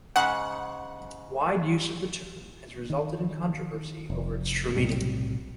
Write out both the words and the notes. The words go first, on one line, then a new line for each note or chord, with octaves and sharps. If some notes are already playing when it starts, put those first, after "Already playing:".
Wide use of the term has resulted in controversy over its true meaning.
G#2 C#3 F#5
D#3
F1
B1 A2 C3 G3